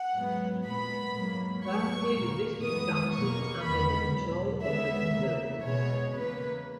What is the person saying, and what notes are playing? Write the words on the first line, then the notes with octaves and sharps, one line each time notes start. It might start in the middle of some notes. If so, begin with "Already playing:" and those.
Currently the District Council is under the control of the Conservatives.
Already playing: F#5
G#2 F#3 B3
A#2 G#3 B3 B5
G#2 F#3 A#3
G#2 F#3 B3 C#6
A#2 A#3
F#2 E3 G#3 B3 D#6
B2 F#3 A#3 C#6
E2 D#3 G#3 B3 B5
E2 B2 F#3
C#3 G#3 B3 E5
C#3 E3 A#3
B2 G#3 B3 C#5
C#3 E3 A#3 B4